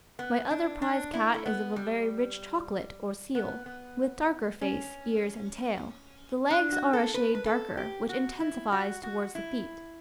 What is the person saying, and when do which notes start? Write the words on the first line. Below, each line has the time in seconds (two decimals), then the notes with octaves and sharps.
My other prize cat is of a very rich chocolate or seal, with darker face, ears, and tail; the legs are a shade darker, which intensifies towards the feet.
0.19 B3
0.51 D4
0.82 D4
1.13 E4
1.34 A3
1.46 B3
1.76 G3
3.35 B3
3.66 B3
4.61 C#4
6.50 D4
6.72 F#4
6.93 A4
7.14 B4
7.35 B4
7.46 A4
7.77 G4
8.09 F#4
8.40 E4
8.72 F#4
9.03 F#4
9.35 E4